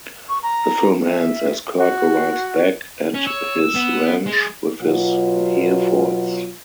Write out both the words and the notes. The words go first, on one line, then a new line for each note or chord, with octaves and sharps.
The film ends as Kirk arrives back at his ranch with his Herefords.
C#6
A#5
E5
F#4
C#4
C#5 E6
B3
G#3
B2 F#3 F4